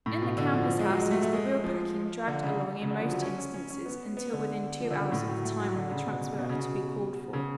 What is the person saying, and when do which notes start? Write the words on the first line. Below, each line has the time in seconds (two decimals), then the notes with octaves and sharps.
In the campus houses the real packing dragged along in most instances until within two hours of the time when the trunks were to be called for.
0.06 A2
0.22 B2
0.37 D3
0.53 F3
0.69 F3
0.79 G#3
0.90 F#3
1.01 G#3
1.11 A3
1.22 A3
1.33 G#3
1.64 F3
2.27 D3
2.44 C#3
2.82 C#3
2.91 D3
3.01 F3
3.11 F#3
3.22 C#4
3.38 C#4
3.54 C#4
3.70 C#4
3.85 B3
4.17 B3
4.33 D3
4.80 F3
4.90 D3
4.96 C#3
5.12 A2
5.28 F#3
5.43 A3
5.60 F#3
5.76 D3
5.91 C#3
6.07 B2
6.39 B2
6.50 C#3
6.59 B2
7.33 C#3